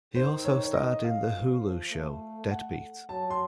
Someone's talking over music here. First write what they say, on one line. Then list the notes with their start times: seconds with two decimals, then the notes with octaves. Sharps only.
He also starred in the Hulu show "Deadbeat".
0.15 D#3 C5
0.45 C#5
0.63 C#5
0.74 D#5
1.04 F5
1.33 F3
1.63 F3
1.92 A3
2.51 F#5
3.09 F#3 A5
3.30 C6